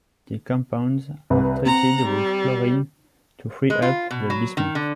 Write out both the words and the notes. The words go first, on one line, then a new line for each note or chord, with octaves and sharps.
The compounds are treated with chlorine to free up the bismuth.
C2 B4
C4 F#5 A#5
G3
G#3
F4
B2
F#3
D#3
D3